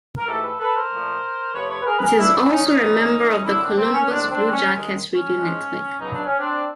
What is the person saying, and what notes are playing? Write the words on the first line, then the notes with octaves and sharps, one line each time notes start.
It is also a member of the Columbus Blue Jackets Radio Network.
A#4
G#2 E3 A3 G4 A4
A4 B4
A4 B4
A#4 C5
A#2 F3 A3
F2 C3 F3 A3 B4 C#5
B4 C#5
B4
G#4 A#4
B4
G#4 A#4
C#2 B2 G3 D4 E4
C4 D4
E4
C#4 D#4
C#4 D#4
G#2 E3 G3
F#2 D3 F3 D4 E4
C4 D4
C4
C#4
C2 C3 D#3 C4 D4
C4 D4
C#4
D#2 D#3 G#3
C#4
G#2 F3 G#3
C#2 B2 F#3 D#4
D4
C#4
C4 D4